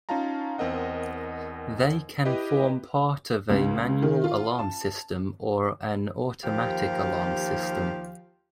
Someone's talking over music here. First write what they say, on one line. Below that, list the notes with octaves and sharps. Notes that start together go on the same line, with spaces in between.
They can form part of a manual alarm system or an automatic alarm system.
C#4 D#4 F4 F5 A5 A#5
E2 C4 A#4 D#5 F#5
E4 G4 B4 D#5
C#2
D#3
F4
A5
D#2 F3 G4 F5